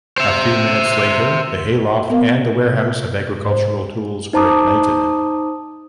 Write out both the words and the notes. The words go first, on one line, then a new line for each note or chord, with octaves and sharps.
A few minutes later the hayloft and the warehouse of agricultural tools were ignited.
C5 E5
B3 A#4 F5
C3
G#2 C5
D#4 C5 A5 A#5 D6 D#6